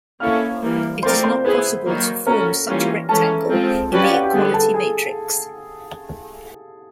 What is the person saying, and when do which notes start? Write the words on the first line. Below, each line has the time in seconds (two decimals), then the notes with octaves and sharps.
It is not possible to form such a rectangle in the equality matrix.
0.20 A#3 C#4 E4 A4 C#5 F5 F6
0.62 E3 G3 A#3
1.03 A3 C4 F4 A#4 C5 D5 C6
1.24 C5 C6
1.44 B3 E4 G#4 B4 B5
1.86 D#3 F#3 A#3
2.26 C#4 F#4 A4 A#4 A#5
2.68 E3 G3 A#3 C#4 F4
3.09 E3 G#3 C#4 A4 A5
3.50 F3 G#3 C4 F4
3.92 C#4 F#4 G4 B4 D5 G5
4.02 F5
4.13 F#5
4.23 G4 G5
4.33 D3 G3 B3 G#4 G#5
4.53 A4 A5
4.74 G#4 G#5